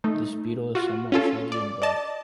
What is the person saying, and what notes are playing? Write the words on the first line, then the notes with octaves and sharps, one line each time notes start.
This beetle is somewhat shaggy and black.
A3 D#4
F4 F#4
C#4 F4 A4
D5
D5 D#5 A5